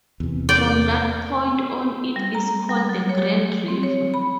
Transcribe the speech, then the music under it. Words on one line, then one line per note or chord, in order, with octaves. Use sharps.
From that point on it is called the Grand River.
E2 C3
D5 G5
G3
A#5
G3
F#3
C#5
C4
C#5
B5